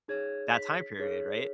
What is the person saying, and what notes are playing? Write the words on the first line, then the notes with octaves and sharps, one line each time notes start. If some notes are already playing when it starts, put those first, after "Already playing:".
that time period, right?
D#4 G#4 C#5 G#6
B6
D#4 G#4 C#5